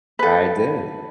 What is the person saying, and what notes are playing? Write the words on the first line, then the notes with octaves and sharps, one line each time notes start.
I did.
A4 B4